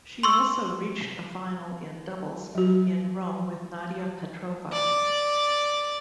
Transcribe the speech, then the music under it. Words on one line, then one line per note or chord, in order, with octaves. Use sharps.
She also reached a final in doubles, in Rome with Nadia Petrova.
C6 C#6 E6
F#3 F#4
D5